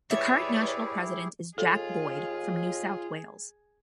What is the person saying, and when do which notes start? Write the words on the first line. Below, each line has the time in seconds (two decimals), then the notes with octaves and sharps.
The current National President is Jack Boyd, from New South Wales.
0.11 E4 G4 G#4 B4 C#5 D5 E5
1.58 D#2 F4 G#4 A4